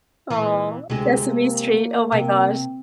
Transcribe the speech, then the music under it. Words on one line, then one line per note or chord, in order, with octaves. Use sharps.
Oh, Sesame Street, oh my gosh.
A#2 E3
D2 C3 G#3
A#3
C3